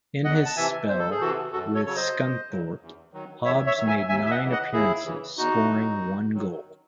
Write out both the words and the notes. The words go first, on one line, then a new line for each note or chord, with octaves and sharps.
In his spell with Scunthorpe, Hobbs made nine appearances, scoring one goal.
E2 D#5 F#5
A5
C3 E3 E5 G#5
E2 C5
A4
G#4
C3 E3 F#4 A4
F#2 F#4 A4
A4 C#5
C#3 F#3 C#5
C5 D#5
F#2
C#3 F#3
E2
D#3 F#3
E2 C#5 E5
C#5 E5
D#3 F#3
E5 G#5
D#2 E5 G#5
E5
D#5 F#5
C#3 E3
D#5 F#5
D#2 E4 G#4
C#3 E3
E2 D#4 F#4
D#3 F#3
E2
D#3 F#3